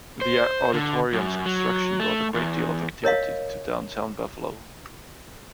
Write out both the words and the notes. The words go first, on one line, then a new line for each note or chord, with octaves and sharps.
The Auditorium's construction brought a great deal of activity to downtown Buffalo.
C5
D3
F#2
F#3
A3
E2
A#4 C#5 D#5 F5